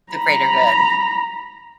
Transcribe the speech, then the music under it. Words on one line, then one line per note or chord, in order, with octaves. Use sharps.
the greater good.
A#5 B5